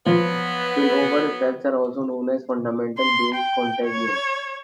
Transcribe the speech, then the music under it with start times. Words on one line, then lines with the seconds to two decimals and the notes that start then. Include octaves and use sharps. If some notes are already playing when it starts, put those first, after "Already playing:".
Spillover effects are also known as fundamental-based contagion.
0.06 F3 F#3 B3
2.99 C6
3.35 G5
3.85 C#5